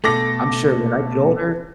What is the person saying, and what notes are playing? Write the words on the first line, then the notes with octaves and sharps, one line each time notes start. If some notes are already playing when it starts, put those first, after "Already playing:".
I'm sure when I get older,
B2 A3 A4 D6 A#6